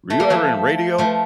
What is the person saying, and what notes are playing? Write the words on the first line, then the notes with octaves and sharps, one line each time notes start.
were you ever in radio?"
A3
A#3
F3 A3
F3 A3